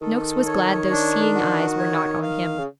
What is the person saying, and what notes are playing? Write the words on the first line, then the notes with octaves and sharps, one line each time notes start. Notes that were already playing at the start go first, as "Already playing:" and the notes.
Noakes was glad those seeing eyes were not on him.
D#3 A4
C#5
D4
F#4
C#5
F5
C#3